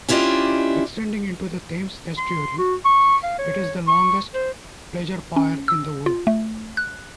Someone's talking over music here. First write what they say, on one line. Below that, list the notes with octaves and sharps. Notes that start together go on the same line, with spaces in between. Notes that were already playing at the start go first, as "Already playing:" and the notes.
Extending into the Thames Estuary, it is the longest pleasure pier in the world.
C#4 D4 E4 F4 G4 D#5
C6
F#4
C#6
F5
C#5
C#6
C5
C#4
E6
F4
A3
F#6